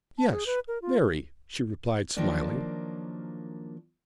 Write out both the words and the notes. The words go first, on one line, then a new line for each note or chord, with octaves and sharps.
"Yes--very," she replied, smiling.
A5
G#4
B4
A#4
F4
D#3 F3 F#3 A#3 D4